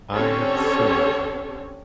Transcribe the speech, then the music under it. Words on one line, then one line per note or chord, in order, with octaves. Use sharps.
I have sinned.
D3 C4 C#4 G4 A4 C#5